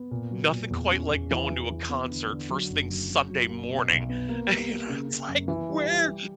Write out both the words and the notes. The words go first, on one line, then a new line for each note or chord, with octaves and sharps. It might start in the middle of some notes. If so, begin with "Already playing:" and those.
Nothing quite like going to a concert first thing Sunday morning, and you know it's like, "Where"
Already playing: B3
A#2
F#3
A#2
E2
C#4
E2
E3
E3
E3
B3
D3
D3
F#3
F#1
F#3
F#3
F#3
A#3
B2
B1
B3
A#3
G3
A#3
C#3
C#3
F#2
E3
G3
G3
G3